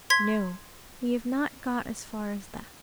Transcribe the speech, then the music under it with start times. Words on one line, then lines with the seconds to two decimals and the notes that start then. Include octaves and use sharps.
No; we have not got as far as that.
0.10 C6 G#6 B6